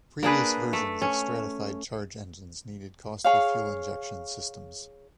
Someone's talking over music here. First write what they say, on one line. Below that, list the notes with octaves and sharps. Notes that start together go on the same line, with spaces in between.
Previous versions of stratified charge engines needed costly fuel injection systems.
A#3 D4 G#4 B4
A3
C#4
G#4 C#5 F5